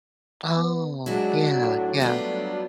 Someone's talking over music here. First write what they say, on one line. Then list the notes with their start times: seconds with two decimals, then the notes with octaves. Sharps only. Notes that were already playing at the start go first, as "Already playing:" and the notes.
Oh, yeah, yeah.
0.55 B3
1.06 F#3 G#3 D4 E4 F#4
1.58 A2
2.00 G3 A3 B3 F4